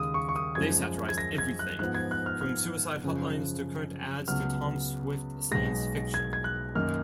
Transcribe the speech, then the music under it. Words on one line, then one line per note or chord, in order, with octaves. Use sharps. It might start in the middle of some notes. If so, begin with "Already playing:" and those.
They satirized everything from suicide hotlines to current ads to Tom Swift science fiction.
Already playing: D#2 C#3 G#3 D#6
C#6
C#6
D#6
F#2 F3 G#3 G#6
G#6
A#6
G#6
F#6
G#2 F3 B3 F#6
G#6
F#6
F6
F6
F#2 C#3 F3
C#2 C#3 F#3 B3 F6
B1 B2 G#3 A#6
G#6
G#6
F#6
F#2 D#3 A#3 D#4 F6